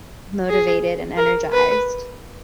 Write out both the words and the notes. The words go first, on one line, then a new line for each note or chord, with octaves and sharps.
motivated and energized.
G#4
A#4
B4